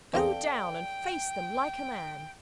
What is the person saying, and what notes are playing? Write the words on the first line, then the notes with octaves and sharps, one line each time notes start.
Go down and face them like a man.
E2 C4 A4 D5 F5 G5 A#5